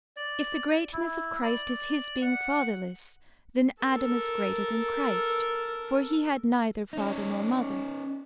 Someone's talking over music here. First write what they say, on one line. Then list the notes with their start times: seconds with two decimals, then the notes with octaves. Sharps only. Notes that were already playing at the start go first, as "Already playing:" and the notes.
If the greatness of Christ is His being fatherless, then Adam is greater than Christ, for He had neither father nor mother.
0.17 D5
0.93 E4
1.43 D5
2.22 F#5
3.82 A4 A#4
6.93 C#4 D#4